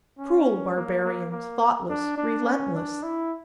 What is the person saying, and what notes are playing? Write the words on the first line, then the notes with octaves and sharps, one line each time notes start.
Cruel barbarians, thoughtless, relentless!
C#4
A#3
A#3
A#3
D4
D4
C#4
D4
E4